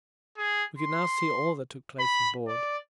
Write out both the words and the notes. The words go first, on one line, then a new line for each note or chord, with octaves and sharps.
We could now see all that took place on board.
G#4
C6
B5
D5